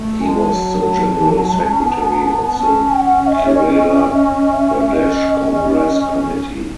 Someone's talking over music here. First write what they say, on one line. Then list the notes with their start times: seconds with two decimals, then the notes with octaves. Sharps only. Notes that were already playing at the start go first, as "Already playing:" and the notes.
He was the general secretary of the Kerala Pradesh Congress Committee.
Already playing: A3
0.20 G#5
0.24 G#3 A5
0.50 F#3
0.76 F#3
1.20 E3
1.28 F#3
1.55 G#3
1.71 C#4
1.80 B3
2.58 C#4 A5
2.97 F#5
3.27 D#5
3.36 E5
3.46 C#5
3.56 D#5
3.75 D#5
3.95 E5
4.15 D#5
4.53 E5
4.92 C#4 D#5